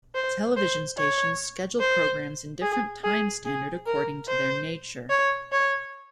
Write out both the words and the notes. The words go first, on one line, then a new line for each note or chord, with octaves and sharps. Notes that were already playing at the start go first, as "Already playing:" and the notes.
Television stations schedule programmes in different time standard according to their nature.
C5
C5
C#5
C5
G#4
G#4
G#4
A#4
C5
C#5
C#5